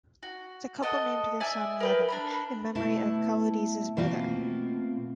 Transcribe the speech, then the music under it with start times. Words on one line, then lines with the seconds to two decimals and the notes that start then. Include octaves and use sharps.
The couple named their son Levan, in memory of Kaladze's brother.
0.23 F#4
0.83 A4 D#5 F#5
1.40 D5 E5 G#5
1.80 A#4 B4 G5
2.08 D4 A#5 B5
2.75 B2 A3 E4 A5
3.97 B2 A3 A#3 C4 F4